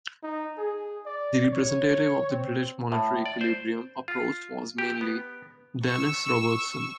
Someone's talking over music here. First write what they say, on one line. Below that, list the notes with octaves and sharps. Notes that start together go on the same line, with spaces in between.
The representative of the British monetary-equilibrium approach was mainly Dennis Robertson.
D#4
G#4
D5
C#5
C4
A2
D5
C5
F4
G4
B3
C#6 E6